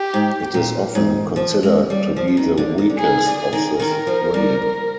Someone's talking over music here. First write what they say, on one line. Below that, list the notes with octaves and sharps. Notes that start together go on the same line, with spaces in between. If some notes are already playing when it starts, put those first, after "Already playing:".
It is often considered to be the weakest of the three.
Already playing: G4
G#2
A#2
G#2
F3
G#3
G3
F3
F3
D#3
D3
D#3
D3
D#3 G#4
D3
G#4
D#3
D#3 A#4
F3
G3